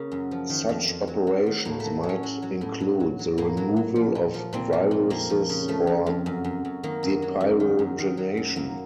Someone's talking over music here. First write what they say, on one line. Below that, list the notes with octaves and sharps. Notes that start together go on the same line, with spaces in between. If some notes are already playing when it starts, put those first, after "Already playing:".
Such operations might include the removal of viruses or depyrogenation.
Already playing: C#3 A#3
F#2
F3
D#3
F2
F2
F#3
F#3
D#3
A2 A#3
F#3 A3
F#3
C#4
F#3
F#3
A2
F#3
F#3
F#3
A2 A#3
F#3
F#3
F3
A#2
F3
A#2 C4
F3
A#2
F2 A#3
F3
C#3
F3 A3
F2
F2
F#2
F#2
F#2
D#3 A#3
F#2
F#3
F#2
D#3
F#2
D#3
F#3
F#2
F#2 A#3